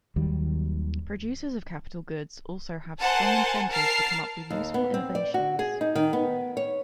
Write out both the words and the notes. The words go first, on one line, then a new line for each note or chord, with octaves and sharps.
Producers of capital goods also have strong incentives to come up with useful innovations.
D#2 D#3 F#3 G3
A#4 C5 F#5 G#5 A5
A#4 A5 F6 C7
D#2
B3
C4
D5
F#4
G#4
D#4
D#3
B3
C#5